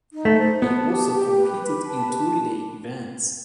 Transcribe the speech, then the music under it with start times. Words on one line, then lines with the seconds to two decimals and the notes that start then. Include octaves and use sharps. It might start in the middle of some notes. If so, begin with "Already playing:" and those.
He also competed in two relay events.
0.12 D#4
0.25 A3
0.38 C5
0.62 B3 A5
0.88 G4
1.12 G4
1.37 B4
1.62 B4
1.87 A5
2.11 G4